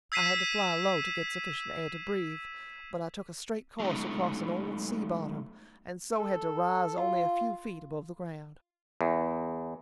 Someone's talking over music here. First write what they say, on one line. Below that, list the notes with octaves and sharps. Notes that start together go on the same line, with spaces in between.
I had to fly low to get sufficient air to breathe, but I took a straight course across an old sea bottom and so had to rise only a few feet above the ground.
E6 G#6 B6 C7 D#7 E7
F#3 G#3 A3 B3 D#4
A4
F4
E2